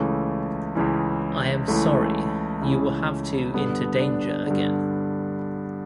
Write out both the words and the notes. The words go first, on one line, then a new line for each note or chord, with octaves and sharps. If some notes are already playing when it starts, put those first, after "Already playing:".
I am sorry you will have to into danger again.
Already playing: C#2 C#3 E3 A3
C#2 C#3 E3
C#2 C#3 E3 A3
C#2 C#3 E3
G2 D3 B3
D4
G2 D3